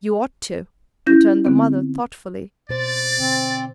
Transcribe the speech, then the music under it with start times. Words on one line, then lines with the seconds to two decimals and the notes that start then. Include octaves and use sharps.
"You ought to," returned the mother, thoughtfully.
1.07 C#4 E4 G6 A#6
1.45 D3 B3 C4
2.69 B2 C5 D5 A6
3.19 D3 C4